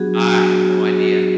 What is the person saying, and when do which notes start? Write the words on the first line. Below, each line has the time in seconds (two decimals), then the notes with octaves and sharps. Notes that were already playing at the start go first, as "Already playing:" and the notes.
I have no idea.
Already playing: F#3 B3 D4 F#4 G#4
0.21 F#4
0.66 G#4
0.89 G#4
0.99 F#4